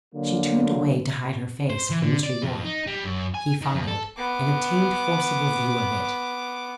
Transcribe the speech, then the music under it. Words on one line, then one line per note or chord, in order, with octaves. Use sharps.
She turned away to hide her face from Mr. Yorke. He followed and obtained forcible view of it.
D3 F#3 A#3
C5
E3
D3
D5
F2
D#4
G3
F#2
G#5
D#3
F2
A4
B3 D6